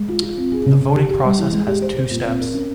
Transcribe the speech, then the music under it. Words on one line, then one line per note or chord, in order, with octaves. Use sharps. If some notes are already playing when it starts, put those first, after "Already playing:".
The voting process has two steps.
Already playing: G#3
F4
F4
C4
G#4
C#3
C#3
G4
G4
G3
E3
G#3
G4
C5
C5
A#2
C4
A#4
C#4